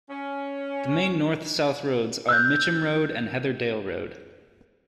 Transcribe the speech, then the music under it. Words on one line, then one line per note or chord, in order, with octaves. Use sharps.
The main north-south roads are Mitcham Road and Heatherdale Road.
C#4
E6 F#6 G6